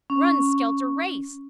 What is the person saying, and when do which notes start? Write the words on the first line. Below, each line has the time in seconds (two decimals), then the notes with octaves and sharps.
Run, skelter, race.
0.10 C#4